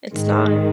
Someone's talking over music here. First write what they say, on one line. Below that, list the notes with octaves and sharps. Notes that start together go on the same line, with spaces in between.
It's not.
G#2 D#3 G#3